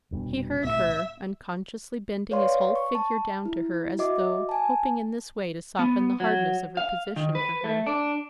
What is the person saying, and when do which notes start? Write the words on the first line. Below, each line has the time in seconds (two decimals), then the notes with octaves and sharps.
He heard her, unconsciously bending his whole figure down to her as though hoping in this way to soften the hardness of her position for her.
0.11 F1 G2 B2
0.63 B1 A2 C3 E5
2.31 B4 C#5 D5 F5 C6
2.76 C#6
2.95 A5
3.45 E4
3.99 F#4 D#5 E5 D6
4.49 G#5 A5
5.79 B3
6.20 F#3
6.77 F5
7.16 D#3
7.35 B4
7.64 A3
7.87 D4